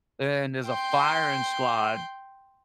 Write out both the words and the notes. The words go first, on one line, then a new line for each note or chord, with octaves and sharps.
and there's a firing squad
G5 C6